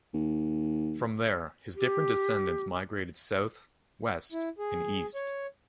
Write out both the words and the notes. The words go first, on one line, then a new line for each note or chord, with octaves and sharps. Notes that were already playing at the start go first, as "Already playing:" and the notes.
From there, his different descendants migrated south, west, and east.
D#2
G4
E4
G#4
C#5